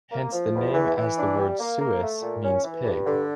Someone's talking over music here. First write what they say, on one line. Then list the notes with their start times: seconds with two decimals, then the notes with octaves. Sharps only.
Hence the name as the word "suis" means pig.
0.11 A#3
0.33 F3
0.54 E2
0.74 E3
0.96 E3
1.17 D4
1.38 G3
1.60 A#3
1.81 A#3
2.02 A3
2.22 A#2
2.43 C#4
2.64 E3
2.85 G2
3.07 D3